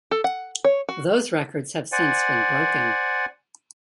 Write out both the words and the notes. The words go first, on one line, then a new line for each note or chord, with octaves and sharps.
Those records have since been broken.
A4
F#5
C#5
F#4
C5 D5 F#5 G#5